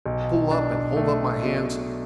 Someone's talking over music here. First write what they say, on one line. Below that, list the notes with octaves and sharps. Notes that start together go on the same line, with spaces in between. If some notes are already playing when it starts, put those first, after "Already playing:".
Pull up and hold up my hands?
B1
D4
A3
B2